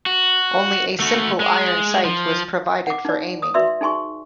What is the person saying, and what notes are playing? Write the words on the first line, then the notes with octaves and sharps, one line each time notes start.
Only a simple iron sight was provided for aiming.
F#4
A3 F#4
G#3
F3
F#5 D6
D#4 D5
D#6
F#4 B4 D5 E5 C6 E6
D#4 G#4 G#5 C6 C#6